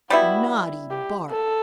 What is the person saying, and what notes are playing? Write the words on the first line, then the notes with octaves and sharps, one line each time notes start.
"Naughty Bart!"
G3 B3 E4 F#4
G4
A4